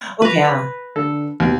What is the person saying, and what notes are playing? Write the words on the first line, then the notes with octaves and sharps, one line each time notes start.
Oh, yeah.
B4 A#5
D3 A4
D#2 B2